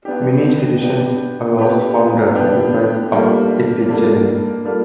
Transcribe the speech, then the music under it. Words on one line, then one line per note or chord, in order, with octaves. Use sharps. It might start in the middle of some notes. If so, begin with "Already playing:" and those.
Many traditions arose from the sacrifice of Iphigenia.
B3 D4 G4
B3 D4 G4
B3 D4 G4
B3 D4 G4
G3 A#3 D4 F4 A4
G3 A#3 D4 F4 A4
G3 A#3 D4 F4 A4